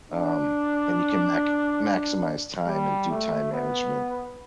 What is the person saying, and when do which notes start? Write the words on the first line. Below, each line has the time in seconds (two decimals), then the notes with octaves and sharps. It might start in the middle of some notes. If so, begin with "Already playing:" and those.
um, and you can mac maximize time and do time management
0.12 D4
2.67 G3
3.10 A3
3.53 B3